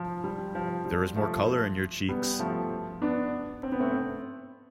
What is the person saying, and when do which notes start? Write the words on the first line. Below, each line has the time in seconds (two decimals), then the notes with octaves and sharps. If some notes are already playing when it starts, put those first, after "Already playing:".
There is more colour in your cheeks.
Already playing: F3
0.24 G3
0.55 F3
0.85 G3
1.16 F3 A3
2.09 G3 B3
2.39 F3 A3
3.02 B3 D4
3.63 C4
3.72 B3
3.80 A3 C4